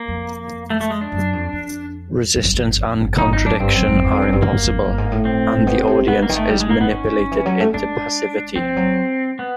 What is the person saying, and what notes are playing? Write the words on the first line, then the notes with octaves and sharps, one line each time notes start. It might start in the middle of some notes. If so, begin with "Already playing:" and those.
Resistance and contradiction are impossible, and the audience is manipulated into passivity.
Already playing: A#3
F2
A3
A3
G#3
D4
F#2
F2
F2
F2
F#2
F2
F#2 D#4
D#4
F#2
D4
G2 C4
F#2
F#2
E2
F2
F#2
G2
F#2 A#3
F2
G2
G#2
A2
C4
B2
C3
B2 B3
A#3
D#3
A3
G3
G#3
A#3
B3
C#4
E3
F#3
A3
G#3 D4
F3 C4
F#3
B3